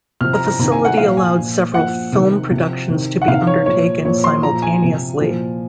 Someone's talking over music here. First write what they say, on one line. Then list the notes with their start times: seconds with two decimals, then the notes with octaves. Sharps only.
The facility allowed several film productions to be undertaken simultaneously.
0.21 C3 F3 F6
0.33 A#5
0.46 A#5
0.59 C3 D#3 A#5
0.72 G#5
0.85 F#5
0.97 A#2 F3 F5
1.17 G#5
1.36 A#2 F3
1.74 A#2 F3 F#5
2.12 C3 D#3
2.51 C3 F3
2.90 C3 D#3
3.22 F#5
3.28 C3 D#3 F5
3.47 C#5
3.66 A#2 F3 C#5
4.05 A#2 F3 C#5
4.24 C6
4.43 A#2 F3 A#5
4.62 G#5
4.82 C3 F3
5.20 A#2 F3